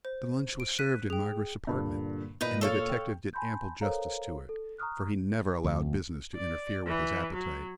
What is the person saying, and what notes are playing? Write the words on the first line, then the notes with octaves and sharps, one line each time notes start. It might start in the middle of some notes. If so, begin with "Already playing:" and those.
The lunch was served in Margaret's apartment, and the detective did ample Justice to it, for he never allowed business to interfere with his appetite.
C5
D7
F#6 B6 D#7
G#4 G5
G2 A#2 D3
A#2 D#4 B4
A4 C#5 F5
G5
G#5 A5 B5 C6 G6
A4 A#4 C5 C#5 F5 A#5
A4
A#5 C#6 D#6 F6 F#6
D2
D5
E3
F#3